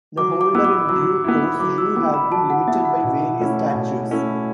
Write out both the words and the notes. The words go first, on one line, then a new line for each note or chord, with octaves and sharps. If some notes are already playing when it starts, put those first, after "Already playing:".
The holder in due course rule has been limited by various statutes.
F#3 D6
D6
B3 E4 E6
D6
F#3 E6
B3 E4
F#3 D6
E6
B3 E4 D6
B5
F#3 A5
F#5
B3 E4 E5
F#5
B2
A3 C#4 E4
B2
A3 C#4 E4